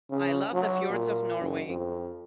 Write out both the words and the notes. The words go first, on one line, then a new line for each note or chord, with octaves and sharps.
I love the fjords of Norway.
C#3
F#3
A#2
F#1
F2